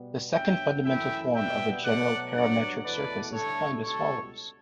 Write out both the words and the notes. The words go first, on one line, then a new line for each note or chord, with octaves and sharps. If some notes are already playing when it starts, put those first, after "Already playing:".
The second fundamental form of a general parametric surface is defined as follows.
Already playing: B2 G3 B3
G2 F#3 B3 E5 G5
F#2 E3 A3 E5 G5
B2 G3 B3 E5 G5
B2 F#3 A3 D5 F#5
G2 F#3 B3 D5 F#5
E2 B2 A3 B4 D5
G2 D3 A3 A4 C#5
C#2 B2 G3 A4 C#5